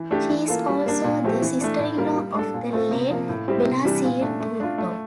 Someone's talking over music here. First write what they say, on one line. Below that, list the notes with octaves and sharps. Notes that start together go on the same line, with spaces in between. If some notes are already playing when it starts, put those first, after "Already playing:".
She is also the sister-in-law of the late Benazir Bhutto.
Already playing: E3
A3 D4 G4
E3
A#3 F4 A4
G3
A#3 D4
A#2
F3 A3 C4 G4
E3
A3 D4
A2
G3 A#3 F4 A#4
G3
D4 A4
A#2
A3 C4 F4 A4
C3
F3 A#3
A2
G3 C4 E4 G4
C3
E3 G3 D4 G4
A#2
A3 D4
A3
D4 F4
A3